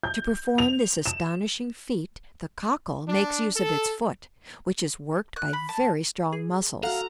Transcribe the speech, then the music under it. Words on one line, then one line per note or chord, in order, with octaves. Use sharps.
To perform this astonishing feat the Cockle makes use of its foot, which is worked by very strong muscles.
G6
F7
E7
D4
A4
F#6
B5
A5
G#4
F#4 A4 F5 F#5 A#5 F6